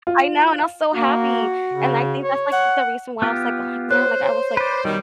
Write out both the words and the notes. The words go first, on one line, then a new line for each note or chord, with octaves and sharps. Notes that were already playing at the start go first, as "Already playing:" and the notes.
I know, and I was so happy, and I think that's, like, the reason why I was like, “Oh man,” like, I was, like
F4
A#3 F#4
C#3
C#5
F#5
B3 F4 G4
C5 C#5 F#6
C#5
B4 D5
F#2 B2 D#3 G3